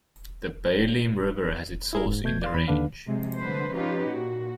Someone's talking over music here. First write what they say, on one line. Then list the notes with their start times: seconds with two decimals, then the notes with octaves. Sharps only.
The Baliem River has its source in the range.
1.93 E4 G#4 A#4
2.06 G#2
2.24 B2 A3 G6 G#6
2.42 D5 F5 C6
2.54 E2 B5
2.68 D#2 D3 D4 B4 F5
3.07 C3 F3 F#3 G#3
3.38 D3 G3 A3 B4 C5
3.73 F3 C#4 D#4 F4 G4 B4
4.06 A#2 F#4